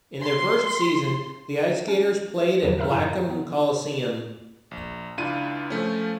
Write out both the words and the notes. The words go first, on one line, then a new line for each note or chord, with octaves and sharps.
In their first season, the IceGators played at Blackham Coliseum.
C6
C#4
E2 D3 D#3 F3 F#3
A2 A#4 E5 A#5 E6
F#2 E4 E5 A5 A#5
B3
A#1
C#2 D4 E4 F4 D#7
F3 A3 C#4